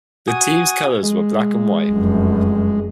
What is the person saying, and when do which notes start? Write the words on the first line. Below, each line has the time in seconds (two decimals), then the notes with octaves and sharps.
The team's colors were black and white.
0.28 F#4 G#5 D#6
1.03 G#3
1.89 F1 F#2